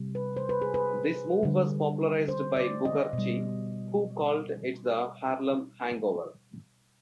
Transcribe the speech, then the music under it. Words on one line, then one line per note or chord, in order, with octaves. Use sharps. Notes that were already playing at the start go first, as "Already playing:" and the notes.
This move was popularized by Booker T, who called it the "Harlem Hangover".
Already playing: C3 G3
B4
C5
B4
G#4
B4
D3 G3
C5
D5
D#5
B2 G3